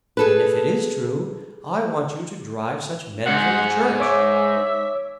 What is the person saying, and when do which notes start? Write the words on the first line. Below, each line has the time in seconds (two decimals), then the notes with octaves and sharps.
And if it is true, I want you to drive such men from the church!
0.17 G#4 A4 B4
3.26 G#2 D#4 F#5
4.00 C#5 E5 D6